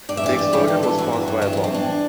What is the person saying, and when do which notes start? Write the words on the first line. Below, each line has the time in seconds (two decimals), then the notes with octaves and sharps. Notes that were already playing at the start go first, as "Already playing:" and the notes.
The explosion was caused by a bomb.
0.09 G2 D5
0.17 E5
0.24 E3 D5
0.39 G2
0.53 E3 G4
0.68 G2 A4
0.83 E3 A4
0.98 G2 F#4
1.13 E3
1.28 G2
1.42 E3 E4
1.53 F#2 D4
1.64 C4
1.72 E3 D4